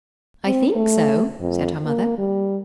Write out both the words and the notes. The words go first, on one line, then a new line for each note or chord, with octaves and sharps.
"I think so," said her mother.
C4
A3
F2
A#3
G3